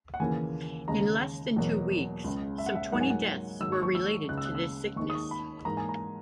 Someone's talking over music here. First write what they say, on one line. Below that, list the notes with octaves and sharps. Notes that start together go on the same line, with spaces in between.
In less than two weeks, some twenty deaths were related to this sickness.
F#5
D#2 C#3 E3 A#3 G#5
D#2 C#3 G#3 A#5
E2 B2 F#3 A#3
C#2 C#3 G#3
E5
F#5
E5
G#2 F#3 A#3 F#5
G#5
F#5
G#2 D#3 F#3 E6
C#6
C#6
E6
C#2 C#3 G#3 F#6
E6
F#6
E6
D#2 D#3 G#3 C#6
D#6
C#6
B5
G#2 E3 A#3 A#5
G#5
A#5